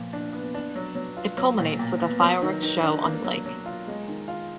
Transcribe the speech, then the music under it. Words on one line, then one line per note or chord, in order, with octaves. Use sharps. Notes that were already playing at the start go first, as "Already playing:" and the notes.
It culminates with a fireworks show on the lake.
Already playing: A#2 F3
D4
B3
D4
F#3
F#3
F4
F#3
A#2
A#2
B3
F#3
D#3
D#3
D4
A#3
F#3
F#3
F4
G#3
D#3
F4